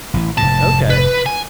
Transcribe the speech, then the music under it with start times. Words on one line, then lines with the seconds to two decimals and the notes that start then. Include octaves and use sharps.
Okay, ho
0.14 A1 E3
0.38 F1 G#2 A5
0.90 B4
1.26 G#5